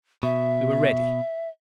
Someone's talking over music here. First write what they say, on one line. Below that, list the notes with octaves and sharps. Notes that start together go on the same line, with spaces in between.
We were ready.
B2 E5